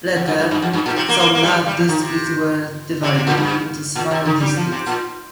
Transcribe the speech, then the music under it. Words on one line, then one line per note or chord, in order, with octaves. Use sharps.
Later, some large districts were divided into smaller districts.
F2
G2
G2
G2
F2
G2
A#2
C3
A#3
A#3
A#3
G3
G3
F3
D#3
C3
C3
C3
A#2
G2
A#2
C3
D#3
G3
F3
C3
A#2